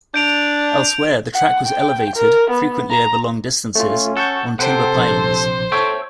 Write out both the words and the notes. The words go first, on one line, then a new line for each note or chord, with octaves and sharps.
Elsewhere, the track was elevated - frequently over long distances - on timber pilings.
D4 G6 D7 F7
F#5
G5
A#4
B3
A#5
A3 C#4 F4
A4 F#5 C#6 G6
C3 A4 C5 F#5 G5
A#1
A4 C#5 E5 G5